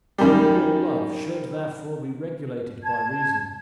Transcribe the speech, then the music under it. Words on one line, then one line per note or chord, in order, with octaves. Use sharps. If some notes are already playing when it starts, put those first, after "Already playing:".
Connubial love should, therefore, be regulated by reason.
F#2 D#3 G3
A5 G#6